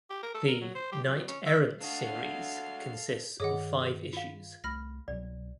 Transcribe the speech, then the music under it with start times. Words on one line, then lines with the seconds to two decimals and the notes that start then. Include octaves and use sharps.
The "Knight Errant" series consist of five issues.
0.10 G4
0.23 A#4
0.35 A4
0.48 A#4
0.61 F#3
0.75 C5
0.92 G4
1.04 F#3
1.17 B2
1.28 C#4
1.46 E5
1.81 D4 F#4 A4 F5
3.40 G2 D#3 G#4 A4 C#5 D#5 F#5
4.13 F4 F5
4.64 C2 A3 B5 F6 A#6
5.08 C2 B2 F#3 D5